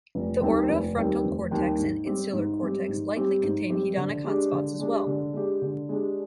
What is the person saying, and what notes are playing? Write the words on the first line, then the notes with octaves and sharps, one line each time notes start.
The orbitofrontal cortex and insular cortex likely contain hedonic hotspots as well.
F1
D#2 D#3 G3 C4
F1
D#2 D#3 G3 C4
F1
D#2 D#3 G3 C4
G#2
G3 C4 G4
G#2
G3 C4 G4
G#2
G3 C4 G4
G#2
G3 C4 G4
D3
G#3 D4 G4
D3
G#3 D4 G4
D3
G#3 D4 G4
D3
G#3 D4 G4